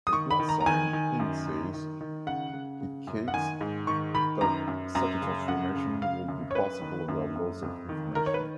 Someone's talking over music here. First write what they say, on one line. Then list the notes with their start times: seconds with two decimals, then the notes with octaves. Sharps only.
A plus sign indsays icates that such a transformation would be possible without loss of information.
0.07 D#6
0.13 D#3 C#6
0.31 B5
0.40 D#3
0.49 A#5
0.61 A#5
0.66 D#3 G#5
0.93 D#3
1.19 F#2
1.46 D#3
1.74 D#3
2.01 D#3
2.27 C#3 F#5
2.53 C#3
2.81 C#3
3.07 F#2
3.28 F#5
3.34 D#3 G#5
3.61 G#2
3.87 D#3 C#6
4.14 D#3 B5
4.41 F#2 A#5
4.68 F#2
4.95 F#2 A#5
5.22 C#3
5.48 F#2 F#5
5.75 C#3
6.02 C#3 F5
6.28 F#2
6.51 C#5
6.55 F#2 B4
6.82 D#3
7.08 F#2
7.36 F#2
7.62 F2
7.89 D#3
8.15 D#3 A#4
8.26 C#5
8.34 B4